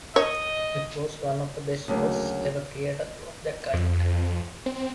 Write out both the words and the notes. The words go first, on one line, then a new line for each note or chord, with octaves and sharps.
It was one of the best shows ever created of that kind.
C#5 D#5
D2 C#3 F#3 A#3
F2
C4